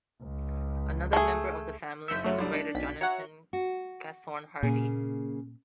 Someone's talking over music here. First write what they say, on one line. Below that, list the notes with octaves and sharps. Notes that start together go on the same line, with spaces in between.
Another member of the family is the writer Jonathan Gathorne-Hardy.
C#2
A3 G#4
F#1 E5 G6 B6 C#7
F#3 A3
C2 G3 D4
D4
B1 B6
F#4 C#5 E5 F#5 A#5
F#4
A#2 C#3 A#3 G#4